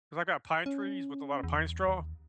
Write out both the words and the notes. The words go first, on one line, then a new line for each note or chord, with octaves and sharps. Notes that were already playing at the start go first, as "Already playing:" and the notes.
'cause I got pine trees with a lot of pine straw
C#4
E2
D#2